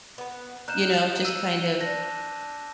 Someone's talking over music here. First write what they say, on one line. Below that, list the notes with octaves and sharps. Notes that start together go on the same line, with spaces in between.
you know, just kind of
B3 B4
A#3 D#4 F#6 G6 E7
E6 D#7
D4 A#6